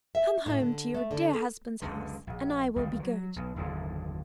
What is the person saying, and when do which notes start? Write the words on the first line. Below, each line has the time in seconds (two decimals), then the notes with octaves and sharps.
"Come home to your dear husband's house, and I will be good."
0.15 E5
0.46 A2
0.60 D3
0.94 A3
1.11 D3
1.33 A4
1.82 C#2 F#2 D3
2.27 A#1
2.76 G1 C#2 D#3 G3
2.99 F3 F#3
3.36 B1
3.56 F#1 D#2 A2 D3